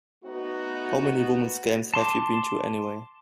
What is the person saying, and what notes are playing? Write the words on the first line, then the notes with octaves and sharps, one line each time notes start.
'How many women's games have you ever been to, anyway?
A3 B3 D#4 F#4
A5 C6 D6